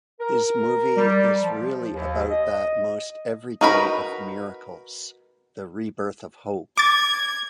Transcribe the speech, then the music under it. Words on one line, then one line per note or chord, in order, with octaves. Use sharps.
His movie is really about that most everyday of miracles: the rebirth of hope.
A#4
G3
F3
D#2
D#5
D#4 F#4 A#4 B4 B5
D6 G#6 A6